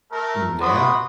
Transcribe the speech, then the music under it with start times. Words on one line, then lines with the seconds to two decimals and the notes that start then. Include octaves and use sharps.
Mm, yeah,
0.11 A3 A#4
0.60 F#4 B4 B5 C6 D#6